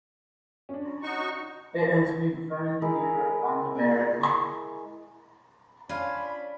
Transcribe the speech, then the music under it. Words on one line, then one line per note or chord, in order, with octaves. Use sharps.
It has been found in Europe and America.
C#4 D4
D#4 F#4 C#6
G#3 E4 G#4 A#4
C#4 D4 F4 G#5 B5